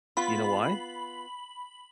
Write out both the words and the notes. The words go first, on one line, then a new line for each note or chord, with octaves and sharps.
You know why?
B3 F4 B5